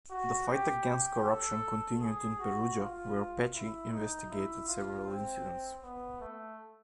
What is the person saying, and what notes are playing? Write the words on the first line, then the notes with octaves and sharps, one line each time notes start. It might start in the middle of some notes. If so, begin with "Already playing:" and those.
The fight against corruption continued in Perugia, where Pecci investigated several incidents.
F#4
G4
G4
A4
G#4
F#4
F4
E4
D#4
E4
F4
C4
B3
A3